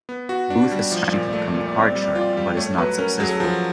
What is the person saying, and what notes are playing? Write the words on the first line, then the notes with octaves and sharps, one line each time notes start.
Booth is trying to become a "card shark", but is not successful.
B3
F#4
D4
G3
F3 D5
A#2 D5
A3 D5
D5
A#2
D5
C4
D5
G3
D5
F4
D5
G3
A3 C#5
F#3 B4
C#4 A#4
F#3 G#4
A4
F3 G#4